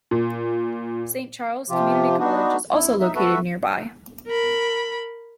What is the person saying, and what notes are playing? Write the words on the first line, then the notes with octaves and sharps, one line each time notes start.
Saint Charles Community College is also located nearby.
A#2
C3 F3 F4 G4
B3 D4 D#4 F#4
E4
D#4 E5
F#4 A4 B4 E5
A#4 B5